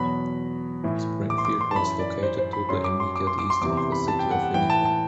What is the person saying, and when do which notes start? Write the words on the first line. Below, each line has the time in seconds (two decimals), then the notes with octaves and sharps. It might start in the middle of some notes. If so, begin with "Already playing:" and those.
Springfield was located to the immediate east of the City of Winnipeg.
Already playing: E2 B2 F#3 B5
0.84 A2 E3
1.30 D6
1.38 C6
1.45 D6
1.61 C6
1.71 A5
1.76 F#2 E3 B5
1.99 D5
2.23 C5
2.38 C5
2.53 B5
2.69 F#2 F#3 C6
2.84 D6
3.00 C6
3.16 D6
3.27 C6
3.39 D6
3.50 C6
3.61 E2 C3 E3 D6
3.77 C6
3.92 B5
4.08 A5
4.19 G5
4.31 F#5
4.43 F#5
4.54 A2 E3 G5
4.70 A5
4.86 A5